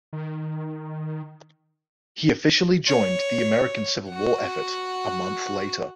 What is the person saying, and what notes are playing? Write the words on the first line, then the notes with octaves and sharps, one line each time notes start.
He officially joined the American Civil War effort a month later.
D#3
C#5
F#4 F#5